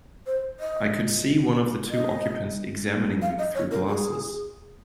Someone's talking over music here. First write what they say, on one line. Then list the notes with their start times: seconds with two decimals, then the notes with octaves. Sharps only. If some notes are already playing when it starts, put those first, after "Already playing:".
I could see one of the two occupants examining me through glasses.
0.26 C5
0.60 D#5
1.90 D#5
3.22 F5
3.39 D#5
3.55 C#5
3.71 A#4
3.88 G#4